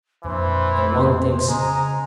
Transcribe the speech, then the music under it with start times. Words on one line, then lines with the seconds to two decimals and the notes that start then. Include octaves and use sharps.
And one thinks....
0.24 F2 A#2 E3 D4 C5
1.48 C#3 G#3 G#5 A#5